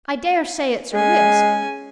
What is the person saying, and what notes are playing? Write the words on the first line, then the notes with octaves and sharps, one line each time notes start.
I dare say it's a risk.
G#3 C#4 G#5